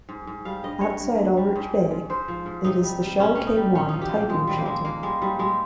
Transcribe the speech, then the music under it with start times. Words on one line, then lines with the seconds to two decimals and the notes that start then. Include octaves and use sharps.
Outside Aldrich Bay, it is the Shau Kei Wan Typhoon Shelter.
0.09 G#2
0.27 G#2
0.45 G3 F5
0.63 G2 D#5
0.81 G3 C#5
1.00 G2
1.18 G2
1.37 G3
1.56 G#2
1.74 G#2
1.91 G#2
2.10 G#2 C5
2.28 F3
2.46 G#2
2.64 C3 D#4
2.83 G3
3.02 G3
3.19 G3 C#4
3.35 C3 C#4
3.47 D#4
3.56 G3
3.75 A#2 C#4
3.89 F3 D#4
4.01 G4
4.11 A#2
4.16 A#3
4.29 F3 G#3
4.47 A#2 G3
4.58 A#3
4.66 A#2 G#3
4.85 G#2 A#3
5.03 G3 G#3
5.22 G#2 G3
5.39 G3 G#3